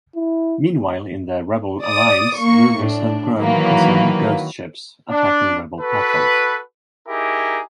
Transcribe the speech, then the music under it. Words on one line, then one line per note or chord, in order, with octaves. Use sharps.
Meanwhile, in the Rebel Alliance, rumors have grown concerning "ghost ships" attacking Rebel patrols.
E4
D5 D#6
A#3 C#6
A2 D4
D#3 E3 F#3 A#3 B4
D4
F#4 A4 B4
D#4 E4 G4 G#4 A#4